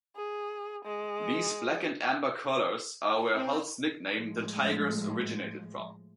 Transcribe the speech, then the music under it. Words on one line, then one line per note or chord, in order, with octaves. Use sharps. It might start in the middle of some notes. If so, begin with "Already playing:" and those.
These black and amber colours are where Hull's nickname, "The Tigers", originated from.
G#4
G#3
C4
A2 F3 G#3